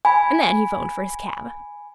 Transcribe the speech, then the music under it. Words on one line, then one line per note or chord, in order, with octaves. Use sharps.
And then he 'phoned for his cab.
G#5 B5